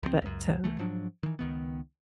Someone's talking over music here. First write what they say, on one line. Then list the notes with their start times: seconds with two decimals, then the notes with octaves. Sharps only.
But, um
0.03 C#2 F3 G#3 C4
0.22 C#2 F#2
0.64 C2 F2 E3 A3
0.78 G#2 F3 F#3 D4
1.23 D#3 E3
1.39 C#2 D#3 B3